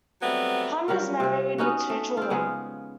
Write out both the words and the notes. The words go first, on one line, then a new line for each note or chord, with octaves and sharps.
Hum is married with two children.
F#3 G3 A3 B3 C4
F#3 G3 F4 A#4
C3 C4
B3 C#4 D#4 F#4
A3
C4 F4
C#3 G#3 B3